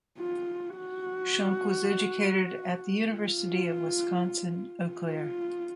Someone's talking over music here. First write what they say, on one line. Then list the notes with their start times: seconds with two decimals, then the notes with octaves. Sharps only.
Schunk was educated at the University of Wisconsin-Eau Claire.
0.18 F4
0.77 F#4
3.10 F4
4.85 F4